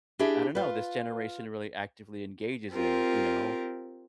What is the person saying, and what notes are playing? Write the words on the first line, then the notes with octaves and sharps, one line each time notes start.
I don't know, this generation really actively engages in, you know?
D4 E4 G4 G#4 E5
F4 B4
C4 F4 G4 A#4